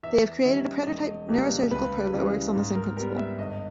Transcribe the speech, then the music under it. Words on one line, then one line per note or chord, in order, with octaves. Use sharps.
They have created a prototype neurosurgical probe that works on the same principle.
E2 E5
D#3 G3 C#4 E5
E1 D#5
E2 C#3 G3 A#3
C#2 B4
C#3 E3 G3
G#2
A#4
G3 B3 A#4
E5
G1 D#5